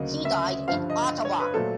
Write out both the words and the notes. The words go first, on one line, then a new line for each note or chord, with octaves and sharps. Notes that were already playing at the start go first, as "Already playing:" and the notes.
He died in Ottawa.
Already playing: D2 C#3 F#3 A#3 D#5
E5
G2 D3 F3 F5
D#5
C#5
B4
A#2 F#3 A3 C4 A4